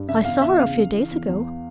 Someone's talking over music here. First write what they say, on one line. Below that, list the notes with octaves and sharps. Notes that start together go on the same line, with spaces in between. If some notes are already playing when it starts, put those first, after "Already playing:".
"I saw her a few days ago."
Already playing: G2
C#3 E5
E2 F5
E2 E5
C#3 F5
C#3
E3
E2
E2